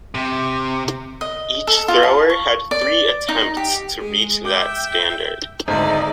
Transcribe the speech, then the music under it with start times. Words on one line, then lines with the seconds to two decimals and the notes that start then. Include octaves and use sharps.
Each thrower had three attempts to reach that standard.
0.15 C3
1.21 D#5
1.67 A4
1.88 F4
2.03 A5
2.30 C#6
2.71 D5
3.29 D#4
3.57 G4
3.97 G#3 G#4
4.45 E5 G5 D6
5.68 G#1 D2 D#4 G#4 D5